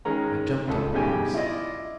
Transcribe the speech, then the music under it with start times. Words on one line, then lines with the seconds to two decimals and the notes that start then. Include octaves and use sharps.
I jumped! up at once.
0.05 D#3 G#3 C#4 A#5
0.68 C#2 A4
0.94 B1 C#3 D#4 G4 G5 G#5
1.34 E4 F4 D5 D#5